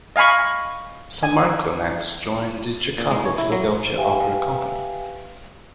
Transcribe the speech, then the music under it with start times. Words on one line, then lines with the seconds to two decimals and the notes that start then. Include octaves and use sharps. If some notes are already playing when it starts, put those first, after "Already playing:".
Sammarco next joined the Chicago-Philadelphia opera company.
0.16 D#5 F5 G#5 B5 C#6
1.23 G#5
2.98 A#2
3.11 G#3
3.25 C#5
3.38 E4
3.52 F#3
3.97 G4 B4 E5 F5 G5 G#5